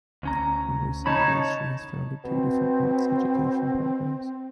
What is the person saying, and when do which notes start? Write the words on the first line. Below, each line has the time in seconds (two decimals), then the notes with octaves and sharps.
In recent years, she has founded two different arts education programs.
0.23 D2 C#4 A#5
1.06 C#3 C#4 D#4 C#5 A5 B5
2.24 B2 C4